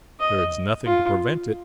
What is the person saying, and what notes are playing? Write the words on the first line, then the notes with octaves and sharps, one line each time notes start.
"There is nothing to prevent it."
D#5
F4